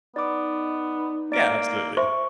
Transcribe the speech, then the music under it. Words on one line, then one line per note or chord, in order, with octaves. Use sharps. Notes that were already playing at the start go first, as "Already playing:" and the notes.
Yeah, absolutely.
B3 D#4 D5 D6
A#3 D5 D7
C5 E5 C6 C#6